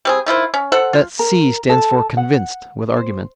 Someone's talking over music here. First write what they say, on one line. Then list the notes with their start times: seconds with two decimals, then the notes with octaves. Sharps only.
That 'C' stands for 'convinced,' with argument.
0.05 G3 C4 G#4
0.26 D#3 E4 F4 C5
0.54 C#4
0.72 A4 C5 F#5
0.93 F4
1.19 A#4
1.69 A4
2.17 F#5
2.97 C5